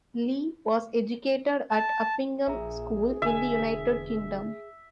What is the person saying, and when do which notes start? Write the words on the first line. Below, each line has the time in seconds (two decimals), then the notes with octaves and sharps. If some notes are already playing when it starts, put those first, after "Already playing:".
Li was educated at Uppingham School in the United Kingdom.
1.71 A5
2.47 A#1 G#4 E5 A#5
3.22 E1 D3 E5 G#5